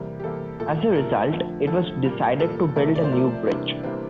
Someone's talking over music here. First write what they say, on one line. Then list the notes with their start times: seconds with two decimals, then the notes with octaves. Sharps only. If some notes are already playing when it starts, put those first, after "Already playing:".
As a result, it was decided to build a new bridge.
Already playing: E2 C3 G3 A#3
0.20 G4
0.24 E2 C3 G3 A#3 A4
0.59 A#2 A3 A4
0.95 A#2 A3 A#4
1.32 F2 D3 F3 A3
1.67 F2 D3 F3 A3 A4
2.04 A#2 G3 A#3
2.40 A#2 G3 A#3 A4
2.76 C3 F3 A3 A#4
2.95 D5
3.04 C5
3.11 C3 F3 A3 A#4
3.47 C3 E3 G3 A#3 D4
3.84 C3 E3 G3 A#3 C4